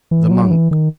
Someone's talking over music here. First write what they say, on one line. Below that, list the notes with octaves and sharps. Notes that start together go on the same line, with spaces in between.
The Monk.
E3
F#3
E3
D#3